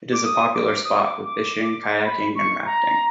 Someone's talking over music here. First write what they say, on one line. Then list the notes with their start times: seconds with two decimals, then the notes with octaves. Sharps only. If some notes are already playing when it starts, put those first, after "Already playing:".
It is a popular spot for fishing, kayaking, and rafting.
0.13 D6
0.24 D#6
0.54 D6
0.85 D#6
1.04 D6
1.25 D6
2.06 B5
2.35 C#6
2.66 A#5